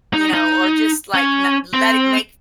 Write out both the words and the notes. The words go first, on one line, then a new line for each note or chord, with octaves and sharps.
you know, or just, like, na letti maki
D#4
D#4
C#4
C4